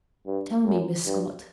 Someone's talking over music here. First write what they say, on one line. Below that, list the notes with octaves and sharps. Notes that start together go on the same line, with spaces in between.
"Tell me, Miss Scott."
G2
F#2
G2